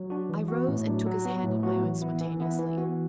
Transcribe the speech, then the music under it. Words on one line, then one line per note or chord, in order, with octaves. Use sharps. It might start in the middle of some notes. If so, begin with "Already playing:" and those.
I rose and took his hand in my own spontaneously.
Already playing: F#3
D4 F#4
E3
B3 F#4
A2
F#3 D4
F#3
B3 F#4
A2
F#3 B3 F#4
E3
B3 E4
E3
B3 E4
E3
B3 F#4